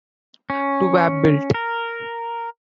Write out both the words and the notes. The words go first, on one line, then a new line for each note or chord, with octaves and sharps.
Two were built.
C#4
A#4